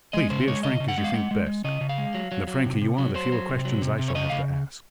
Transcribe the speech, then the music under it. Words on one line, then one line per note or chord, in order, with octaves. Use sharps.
Please be as frank as you think best. The franker you are, the fewer questions I shall have to ask.
G#3 D#5
C#3 C5
G#3 C#5
C#3 D#5
C#3
F#5
G#3
F5
G#3 F#5
G#3
G#3
C#3 D#5
C#3
F5
G#3
F#3
F#3
F#3
C3
C3
F#3
F#3 C5
F#3
C3
F#3
C3
C3
C#5
C#3 D#5
C#3 F5